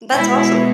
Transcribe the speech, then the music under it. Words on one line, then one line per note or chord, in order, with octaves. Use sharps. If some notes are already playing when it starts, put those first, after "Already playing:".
That's awesome.
B2 G#3 B3 E4